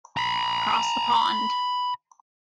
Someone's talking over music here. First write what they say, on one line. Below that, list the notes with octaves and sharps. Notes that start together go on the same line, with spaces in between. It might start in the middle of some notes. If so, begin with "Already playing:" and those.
Across the pond.
A#5 B5